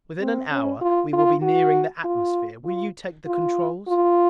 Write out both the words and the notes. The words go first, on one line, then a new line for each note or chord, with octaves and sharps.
"Within an hour we will be nearing the atmosphere. Will you take the controls?"
C4
C#4
F4
F4
F#4
F4
F4
F4
F4